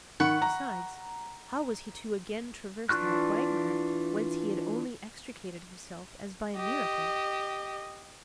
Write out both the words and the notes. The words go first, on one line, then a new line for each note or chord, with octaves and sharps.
Besides, how was he to again traverse that quagmire whence he had only extricated himself as by a miracle?
D#3 F#5 B5 C#6
A#5
E3 D4 F4 C#6 F#6
G4 D#5